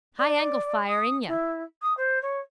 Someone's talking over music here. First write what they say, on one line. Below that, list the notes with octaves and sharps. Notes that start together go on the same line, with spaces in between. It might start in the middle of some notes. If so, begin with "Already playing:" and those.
High angle fire, inyah!
D5
D#6
E4
D#6
C5
C#5